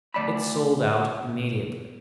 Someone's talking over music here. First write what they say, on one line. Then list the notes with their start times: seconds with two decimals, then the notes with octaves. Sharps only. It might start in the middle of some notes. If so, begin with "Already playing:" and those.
It sold out immediately.
0.14 D2 D5 A5 B5